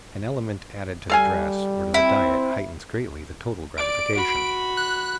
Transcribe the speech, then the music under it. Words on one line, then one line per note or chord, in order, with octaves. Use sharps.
An element added to the dress or to the diet heightens greatly the total gratification.
G3 A4 F5 G#5
C4 E4
D5 D7
F#4 B5
F#6